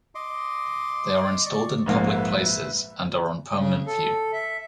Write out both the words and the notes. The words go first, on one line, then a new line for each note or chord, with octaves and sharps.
They are installed in public places and are on permanent view.
D#5 C6 D6
D5 C#6
A#1 G#2 A#3 F4
B4 E5
C#3
A4
E5